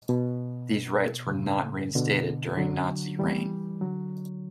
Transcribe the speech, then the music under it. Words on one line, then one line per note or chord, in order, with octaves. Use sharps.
These rights were not reinstated during Nazi reign.
B2
D3
A2 C#3
B2 D3
D3 F#3
E3 G3
D3 F#3